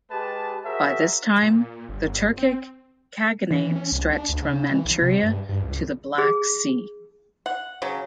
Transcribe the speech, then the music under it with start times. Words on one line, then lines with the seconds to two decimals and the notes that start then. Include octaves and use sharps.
By this time the Turkic Khaganate stretched from Manchuria to the Black Sea.
0.11 G#3 G4 B4 A5
0.65 F#4 G#4 A#4 C5 E5
1.42 A#2
1.89 G1
2.37 C4
3.51 E3
3.76 C#4
3.92 C2
4.13 D4
4.29 D2
4.42 C#3
4.71 E3
4.85 B1
5.02 C3
5.23 G2
5.49 G2
5.63 C#2
6.18 G#4
7.46 F#5
7.82 C#3 F#3